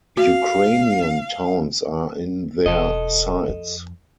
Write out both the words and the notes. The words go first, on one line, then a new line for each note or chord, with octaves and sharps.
Ukrainian towns are in their sights.
F#4 F5
E1 A4 D#5
F2